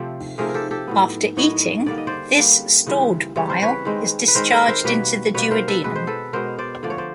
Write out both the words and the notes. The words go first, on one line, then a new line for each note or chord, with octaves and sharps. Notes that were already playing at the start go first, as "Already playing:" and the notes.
After eating, this stored bile is discharged into the duodenum.
Already playing: C3 F3 A3 C4
C3 F3 A3 C4 G#4 A#4
A#4
G4 A4
G4 A4
A2 F#3 B3
A2 F#3 B3 C#5 D#5
D3 G3 A#3 D5
D#5
C5 D5
D3 G3 A#3
C#3 E3 G3 C4
C#3 E3 G3 C4 C#5
C5
B4 C#5
D#3 G#3 C4
B4
D#3 G#3 C4 A#4 C5
A4 B4
A#4 C5
B2 G3 A#3 B4 C#5
B2 G3 A#3 B4 C#5
A#4 C5
A4 B4
B2 G#3 B3 B4
C5
A4 B4
B2 G#3 B3 A#4 C5
C5 D5
D3 F3 A3 D5
C#5
C5 D5